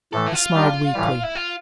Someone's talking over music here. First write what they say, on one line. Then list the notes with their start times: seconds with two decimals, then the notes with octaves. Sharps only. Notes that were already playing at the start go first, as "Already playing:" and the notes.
He smiled weakly.
0.12 A2 E3 A3 A4
0.26 E4
0.33 F4
0.54 G3 D4 G4 A#4
0.94 A2 E3 G3
1.23 E4
1.35 F4